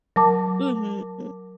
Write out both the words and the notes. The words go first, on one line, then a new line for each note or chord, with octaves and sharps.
Mhm. M
F#3 A#4 A5 D6